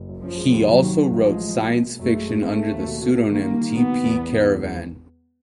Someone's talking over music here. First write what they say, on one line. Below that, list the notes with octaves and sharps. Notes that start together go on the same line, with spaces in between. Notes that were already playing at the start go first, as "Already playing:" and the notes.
He also wrote science fiction under the pseudonym T. P. Caravan.
Already playing: F#1
F#2
F3 C#4
G#3
D#2
C3 F#3
D#3
D#3
A1 G#3
F3
F3
B2
A#3
B2
F#2 A3
G#3
G#3
A3 C4
C4
D#2
B2
B2
G#3
D#3 A#3
G3
D#3
B2 B3
B2
E2
G#3
E2
G#3
E2